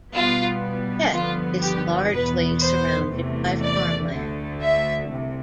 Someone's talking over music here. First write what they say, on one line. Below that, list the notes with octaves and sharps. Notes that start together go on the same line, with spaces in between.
Hett is largely surrounded by farmland.
B2 G3 B3 F4
G2 D3 F3 B3 F4
G4
E2 B2 B3 B4
C5
E2 C3 E3 A3
D5
D2 D3 A3
E5
C2 C3